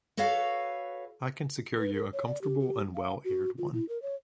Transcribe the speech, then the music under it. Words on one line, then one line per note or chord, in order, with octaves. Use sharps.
I can secure you a comfortable and well-aired one.
F#4 A4 B4 C#5 F5
B4
A#4
C#5
D5
G4
G4
F5
F#4
F4
E4
A#4
C#5